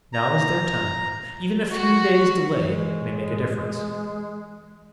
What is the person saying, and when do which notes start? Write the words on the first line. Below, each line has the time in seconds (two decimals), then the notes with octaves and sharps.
Now is their time: even a few days' delay may make a difference.
0.13 A#5
1.71 F#4
2.59 E3 G#3